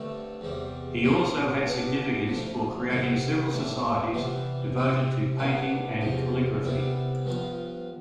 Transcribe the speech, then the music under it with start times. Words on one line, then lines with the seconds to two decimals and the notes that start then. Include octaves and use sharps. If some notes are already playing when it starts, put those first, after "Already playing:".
He also had significance for creating several societies devoted to painting and calligraphy.
Already playing: G2 D3 A3 C4
0.41 E2 C3 G3
1.03 B2 G3 D4 F4
1.66 B2 B3 D4 F4
2.28 D2 D3 F3
2.90 C2 B2 G3 C4 E4
3.52 A2 E3 A3 D4
4.14 C3 E3 G3 B3
4.77 C3 G3 C4 E4
5.38 C2 B2 B3 D4
6.01 E2 C3 F3
6.63 C2 C3 G3 B3 E4
7.25 G2 F3 B3 F4